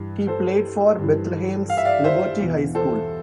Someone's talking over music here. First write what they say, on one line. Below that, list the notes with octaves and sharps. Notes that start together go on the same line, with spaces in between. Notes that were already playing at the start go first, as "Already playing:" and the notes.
He played for Bethlehem's Liberty High School.
Already playing: G2 E3
A4 C5
G2 E3
F5
E5
D5 F5
C5 E5
E2 B2
A4 C5